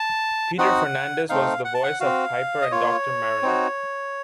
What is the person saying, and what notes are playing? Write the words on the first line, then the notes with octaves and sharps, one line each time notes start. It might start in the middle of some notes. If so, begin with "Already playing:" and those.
Peter Fernandez was the voice of Piper and Doctor Mariner.
Already playing: A5
C4 D#4 F#4 F#5
A3 C4 D#4 F5
F#5
A5
F#5
C4 F#4 F5
D#5
A#3 F4 C#5
C4 D#4 F#4